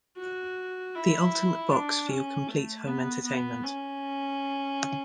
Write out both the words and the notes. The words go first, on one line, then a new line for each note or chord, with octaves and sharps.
The ultimate box for your complete home entertainment.
F#4
E4
D4
C#4
A3
B3
B3
C#4